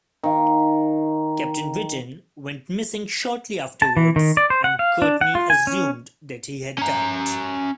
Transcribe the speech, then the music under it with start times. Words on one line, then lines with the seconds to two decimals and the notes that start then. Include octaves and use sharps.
Captain Britain went missing shortly afterwards and Courtney assumed that he had died.
0.23 D#3 F5
3.82 A5
3.97 E3
4.16 D#3
4.37 D5
4.50 C5
4.64 F#5
4.79 F5
5.02 D4
5.21 F#5
5.35 F4
5.50 G#5
5.67 C#4
6.78 C#4 A#5